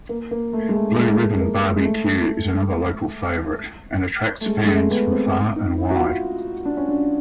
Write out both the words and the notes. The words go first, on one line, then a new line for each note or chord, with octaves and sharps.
Blue Ribbon Bar-B-Q is another local favorite, and attracts fans from far and wide.
A#3
A#3
A3
G#3
A3
G#3
A#3
G#3
A3
A3
G#3
G#3
A3
B3
C4
D#4
E4
F#4
F4
D4
C#4
D4